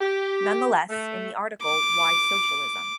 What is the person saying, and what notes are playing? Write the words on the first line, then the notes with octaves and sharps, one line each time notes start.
Nonetheless, in the article Why Socialism?
G4
A3
D6